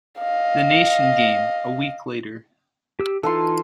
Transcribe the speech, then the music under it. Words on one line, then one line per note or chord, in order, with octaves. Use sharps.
The Nation Game a week later.
D#5 F5
G4 E6
E3 D#4 F4 A4 A5 C6